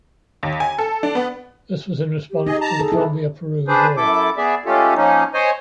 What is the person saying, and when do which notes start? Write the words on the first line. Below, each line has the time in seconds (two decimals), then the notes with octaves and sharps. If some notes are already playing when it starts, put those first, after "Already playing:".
This was in response to the Colombia-Peru War.
0.43 D#2
0.60 G#5
0.78 A4
1.03 D4
1.15 B3
2.31 G4
2.47 D#4 G#4 D#5
2.61 A5 A#5
2.80 G#4 A4
2.92 C3 E3 E4
3.68 D4 G#4 B4 C5
3.97 F#2 E4 A4 D6
4.37 B3 G#4 D5 E5
4.66 G#3 A3 C#4 F4 G4 A4
4.96 F3 A#3 C#4 D#4
5.34 C5 C#5 D#5 G#5